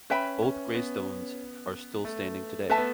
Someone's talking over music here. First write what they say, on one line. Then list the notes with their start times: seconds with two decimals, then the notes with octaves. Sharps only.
Both gravestones are still standing today.
0.10 C#4 B4 E5 G5 B5
0.42 C#4
0.75 B3
2.05 A3
2.69 A3 B4 E5 A5
2.78 B3